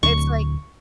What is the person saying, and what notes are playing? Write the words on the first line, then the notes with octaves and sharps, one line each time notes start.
It's like
D1 D2 C#6